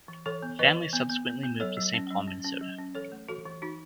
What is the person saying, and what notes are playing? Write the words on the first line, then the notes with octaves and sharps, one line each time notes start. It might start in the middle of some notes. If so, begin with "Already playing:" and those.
The family subsequently moved to Saint Paul, Minnesota.
E3
E3 A4 C#5
B3
E3 B4 D#5
E3
B3
B3
B3
B3
F#3 A4 C#5
F#3
C#4
F#3
C#4
C#4
F#3
C#4
E3 A4 C#5
A3
E3 F#4 A4
E3
E3 D#4 F#4